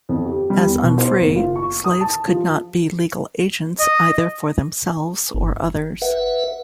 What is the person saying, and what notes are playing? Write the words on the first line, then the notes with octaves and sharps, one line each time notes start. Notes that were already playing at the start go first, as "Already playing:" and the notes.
As unfree, slaves could not be legal agents either for themselves or others.
F2
G4
G3
E2
B2
C5
F#1
F4
C#6
D#6
A5
F3
D#5
G1
B4 E5 F#5